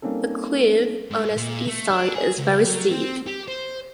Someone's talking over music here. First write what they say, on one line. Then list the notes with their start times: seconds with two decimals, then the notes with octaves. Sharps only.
The cliff on its east side is very steep.
0.02 G3 A#3 C4 C#4 D#4 A4
1.11 G#2
1.37 A#2
1.67 A3
1.91 D4
2.15 G#4
2.38 C#2
2.66 F#3
2.91 C4
3.27 G4
3.48 C5